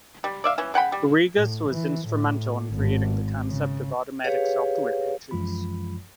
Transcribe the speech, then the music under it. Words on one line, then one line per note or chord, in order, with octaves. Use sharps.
Rigas was instrumental in creating the concept of automatic software patches.
G3
D5 E5 F5
E3 C#4
C#3 F#5 G5 B5
G3
A2
E3
A2
G#1
C#3
G4 G#4 B4 C#5 F5
F#2 E3 F3 G#3 F4 B5